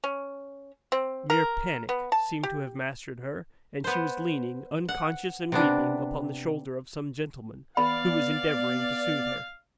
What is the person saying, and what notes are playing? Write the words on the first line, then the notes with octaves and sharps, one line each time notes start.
Mere panic seemed to have mastered her; and she was leaning, unconscious and weeping, upon the shoulder of some gentleman, who was endeavoring to soothe her.
C#4
C4
A#4
B3
A5
G4
B3 C5
F#5
C3 B3 D4
B3 D5 F5 B5